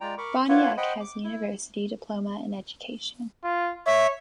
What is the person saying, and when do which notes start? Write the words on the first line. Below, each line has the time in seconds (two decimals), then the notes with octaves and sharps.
Boniek has a University diploma in education.
0.01 G#3 F4 D5 G5 A#5
0.18 A#4 B5 C#6 D6
0.49 A#3 E4 F4 B4 C#5 F#5
0.77 C5 D#5 F#5 G5 B5
1.00 D6
1.24 E4
3.44 F4
3.86 C#5 E5